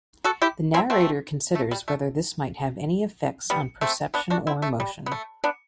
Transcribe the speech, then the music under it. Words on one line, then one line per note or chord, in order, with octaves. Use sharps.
The narrator considers whether this might have any effects on perception or motion.
F#4 A4
E4 G4
C4 E4
A3 C4
A3
G3
A3
G3 B3
A3 C4
B3 D4
D4 F#4
C4 E4
A3
G3
B3
A3
B3 D4